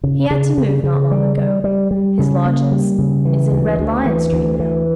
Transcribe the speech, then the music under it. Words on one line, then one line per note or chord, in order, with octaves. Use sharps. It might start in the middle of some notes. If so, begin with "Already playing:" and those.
He had to move not long ago; his lodgin's is in Red Lion Street now.'
C#3
C#3
C#3
C#3
G3
G3
G3
G3
C#3
A#3
G3
C#3
E3
D2
D2
E3
D2
E3